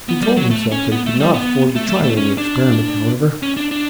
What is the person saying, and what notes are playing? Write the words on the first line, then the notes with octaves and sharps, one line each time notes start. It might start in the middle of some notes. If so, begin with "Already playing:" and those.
He told himself that he could not afford to try any experiment, however.
B3
G3
F#3
A3
C#4
B3
A3
G3
B3
A3
A3
A3
C#4
D4
C#4
D4
D4